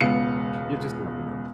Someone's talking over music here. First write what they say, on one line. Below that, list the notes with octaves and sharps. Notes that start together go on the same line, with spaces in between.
you just never know.
E1 C#2 B3 F5 C#7